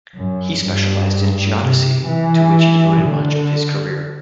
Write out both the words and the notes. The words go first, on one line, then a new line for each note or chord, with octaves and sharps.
He specialized in geodesy, to which he devoted much of his career.
F#2
G2
C3
E3
D3